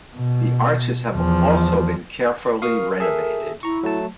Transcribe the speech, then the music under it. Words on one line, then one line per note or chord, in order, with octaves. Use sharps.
The arches have also been carefully renovated.
B2
E2 F3
A#4 F5 C#6 D#6
G#4 A4 E5
E4 A#5 C#6
F#3 A3 A5